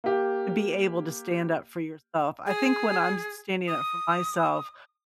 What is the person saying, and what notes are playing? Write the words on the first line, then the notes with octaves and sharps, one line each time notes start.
to be able to stand up for yourself. I think when I'm s standing up for myself,
A#3 G4
G#4
D#6